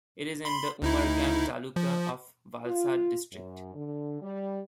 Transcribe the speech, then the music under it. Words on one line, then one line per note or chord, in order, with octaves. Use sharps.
It is in the Umargam taluka of Valsad district.
B5 C6
D2 D#4 E4
F3
F4
F#2
D3
G3